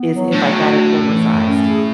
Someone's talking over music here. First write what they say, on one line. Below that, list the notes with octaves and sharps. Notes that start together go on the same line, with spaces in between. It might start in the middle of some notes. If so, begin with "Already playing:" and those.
is if I got it oversized,
Already playing: B3
F#3
A2 D4
F#4
D4
F#2
E3
F#2
C#4
G#4